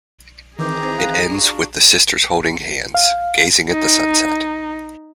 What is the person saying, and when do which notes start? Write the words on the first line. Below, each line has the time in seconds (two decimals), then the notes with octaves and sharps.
It ends with the sisters holding hands, gazing at the sunset.
0.59 D#3 E3 C4 G#4 A#5 D6 G6
0.96 F5 D#6 F#6
1.30 D4 F4 F#4
2.95 F5
3.72 D#4